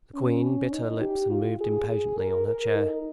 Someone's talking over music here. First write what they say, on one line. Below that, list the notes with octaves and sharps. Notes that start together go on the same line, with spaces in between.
The queen bit her lips and moved impatiently on her chair.
C#4
D#4
G4
F4
G#4
G#4
A#4
A#4
D#4